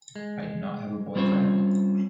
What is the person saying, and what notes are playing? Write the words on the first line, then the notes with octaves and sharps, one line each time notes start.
I do not have a boyfriend.
G#3
G3 C4 C#4 F4 C5 C#5